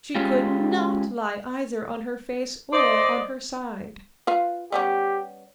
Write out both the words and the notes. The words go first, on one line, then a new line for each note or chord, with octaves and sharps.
She could not lie either on her face or on her side.
G#3 C#4 F4 G4
C5 D5 D#5
F4 B4 F5
G3 B3 C#4 G4